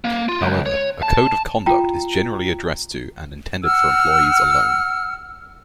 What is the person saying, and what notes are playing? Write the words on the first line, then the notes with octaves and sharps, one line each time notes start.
However, a code of conduct is generally addressed to and intended for employees alone.
A#3
F4
C#2
C#5
A5
F4 G5 A#5
F#5 E6 F6